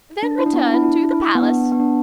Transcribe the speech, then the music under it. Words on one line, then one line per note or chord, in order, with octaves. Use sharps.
"Then return to the Palace."
D4
E4
D4
B3
E4
D4
E4
B3
D4
B3
D4